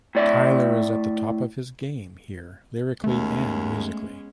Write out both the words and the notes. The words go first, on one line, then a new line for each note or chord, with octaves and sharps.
Tyler is at the top of his game here lyrically and musically.
A2 D5 E5
D#2 G#3 A3 B3 C#4